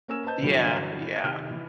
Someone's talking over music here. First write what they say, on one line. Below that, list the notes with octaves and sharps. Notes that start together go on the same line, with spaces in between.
Yeah, yeah.
A#3 C#4 A#4 G#5 E6 E7
B4 C5 D#5 A5 G6
G2 D3 E3 F#3 G3 F#4
F1 D#3 F6
E3